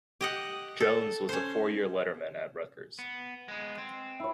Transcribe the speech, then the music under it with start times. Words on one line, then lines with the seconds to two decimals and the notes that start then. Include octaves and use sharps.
Jones was a four-year letterman at Rutgers.
0.21 G4 D#5 F#5
0.80 A4
1.29 C#4 C5
2.99 B3
3.48 G#3 B3
3.78 C4
4.20 E4 C#5